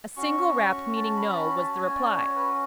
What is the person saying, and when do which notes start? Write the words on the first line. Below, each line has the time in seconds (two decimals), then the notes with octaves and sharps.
A single rap, meaning "No," was the reply.
0.17 C#4 F#4 C#6
0.56 C#6
0.96 A5
1.16 B5
1.32 A5
1.36 B5
1.56 A5
1.76 G#5
1.95 D5
2.16 C#5
2.35 B4